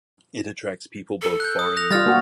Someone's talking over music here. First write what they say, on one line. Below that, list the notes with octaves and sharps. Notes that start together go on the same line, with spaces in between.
It attracts people both far and near.
A4
F#6 G6
D#6
F#6 A#6 F7
G3 F4 F6 A6 A#6
A#3 F#4